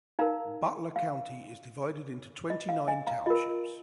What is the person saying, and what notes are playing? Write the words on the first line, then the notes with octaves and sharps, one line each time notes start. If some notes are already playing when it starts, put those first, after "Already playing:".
Butler County is divided into twenty-nine townships.
D#4 A#4 F5 A#5
F5
D#5
F5
D#5 G#5
F5 A#5
F4 A#4 D#5